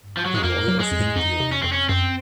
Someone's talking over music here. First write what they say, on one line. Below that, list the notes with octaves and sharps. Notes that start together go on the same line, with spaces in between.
Roy of India.
F3
F#3
G#3
F2 A#3
F#3
G#3
F2
F2 D#4
C3
C#4
F2 C4
C#4
F#2 C4